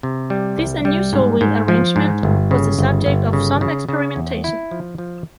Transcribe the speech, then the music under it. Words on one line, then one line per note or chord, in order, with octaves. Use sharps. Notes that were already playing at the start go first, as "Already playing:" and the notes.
This unusual wheel arrangement was the subject of some experimentation.
C3
G3
C2
G3
G#2
G#2
F3
G#2
G1
C#3
G1
G1
C#3
C#3
C#3
E2
E4
F3
F3